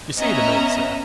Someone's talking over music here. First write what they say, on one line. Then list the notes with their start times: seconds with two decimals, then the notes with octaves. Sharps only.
You see the move, sir?'
0.17 B3 C#4 D#5 E5 A#5